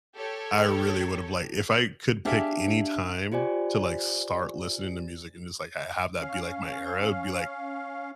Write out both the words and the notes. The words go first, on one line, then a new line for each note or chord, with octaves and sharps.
I really would've, like" If I could pick any time to, like, start listening to music and just, like, ha have that be, like, my era, it be, like,
G4 A4 C#5
D4 G4 G#4 E5 F5
F4 G4 C5 D5 G#5
C#4 F5